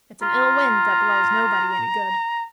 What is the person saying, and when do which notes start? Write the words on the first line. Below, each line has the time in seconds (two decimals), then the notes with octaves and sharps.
"It's an ill wind that blows nobody any good."
0.22 F4 A#5